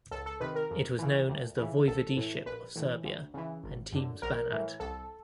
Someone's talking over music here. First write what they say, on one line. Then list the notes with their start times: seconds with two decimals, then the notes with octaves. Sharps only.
It was known as the Voivodeship of Serbia and Temes Banat.
0.11 C#2 A4
0.26 A4
0.40 C3 D#3 B4
0.56 A#4
0.70 F2
0.99 C#3 E3
1.29 D2
1.57 C#3 E3
1.87 A#1 A4
2.17 A2 E3
2.46 A#1 B4
2.76 A2 E3
3.04 D2
3.34 C#3 E3
3.63 G#1
3.92 F#2 D3
4.22 A#1 A#4
4.52 A2 E3
4.80 C2 A4